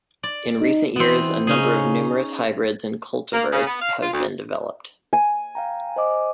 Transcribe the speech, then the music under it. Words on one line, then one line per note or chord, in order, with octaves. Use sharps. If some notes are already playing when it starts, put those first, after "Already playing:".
In recent years a number of numerous hybrids and cultivars have been developed.
D5
D#4
E3 B3 C4
C#3 C#4 D#4 G#4
A#3
C#3
B3
F5
F4
D2
G#5
F5 G5 A#5
C5 D#5 D6